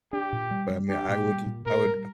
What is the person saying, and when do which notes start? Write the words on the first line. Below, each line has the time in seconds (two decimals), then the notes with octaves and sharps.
But, I mean, I would l I would
0.13 D4 G4
0.33 A#2
0.51 G3
0.70 G3
0.89 D4 G4
1.08 A#2
1.27 G3
1.46 A#2
1.66 A#2 A#4
1.85 G3